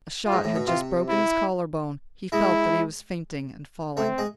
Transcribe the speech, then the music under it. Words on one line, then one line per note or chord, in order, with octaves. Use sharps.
A shot had just broken his collar bone, he felt that he was fainting and falling.
F4
G#2
A2
B2
C3 F4
E4
G#3 E4
A3 C4
G#3